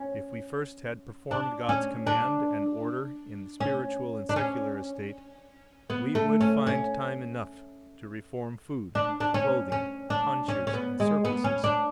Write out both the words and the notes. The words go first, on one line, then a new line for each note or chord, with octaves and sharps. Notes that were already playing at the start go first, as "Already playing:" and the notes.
If we first had performed God's command and order in the spiritual and secular estate we would find time enough to reform food, clothing, tonsures, and surplices.
Already playing: C#4
D4
C#4
D4
C#4
D4
C#4
B3
A3
C#4
C#4
D4
D4
C#4
C#4
D4
C#4
C#4
B3
G#3
B3
C#4
D4